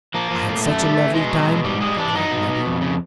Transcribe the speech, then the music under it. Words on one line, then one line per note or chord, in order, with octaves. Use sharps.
"I had such a lovely time," declared Nettie.
F3 A#3
F3
A2
F#2 A3
G3
E3
B2 G#3
F#3
B2
G#2 G3
G3 G#3
E3 D4
F#3 D#4
B2
B2
F2
C#3